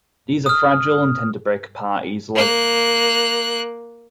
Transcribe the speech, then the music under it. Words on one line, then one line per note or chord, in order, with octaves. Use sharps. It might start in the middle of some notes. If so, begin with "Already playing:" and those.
These are fragile and tend to break apart easily.
D#6 F6
A#3 F#6